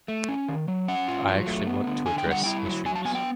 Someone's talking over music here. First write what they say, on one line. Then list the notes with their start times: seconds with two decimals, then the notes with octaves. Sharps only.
I actually want to address issues.
0.08 A3
0.29 C#4
0.48 D#3
0.68 F#3
0.88 C#4 F#5
1.08 F4
1.28 F#3
1.47 A3
1.67 B3
1.87 D3
2.06 D3 G#5
2.18 G5
2.26 G3 F#5
2.44 E4 G5
2.65 F#3
2.85 F#3 G#5
2.95 A5
3.05 B3 G#5
3.15 G5